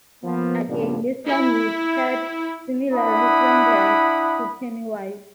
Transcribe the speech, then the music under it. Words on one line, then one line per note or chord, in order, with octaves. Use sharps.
Again this clown would shared similar resemblance to Pennywise.
F3 A#3 B3
G2 A#2 C#3 F3 B3 D4
E4
D4 E4 F#5 B5 D#6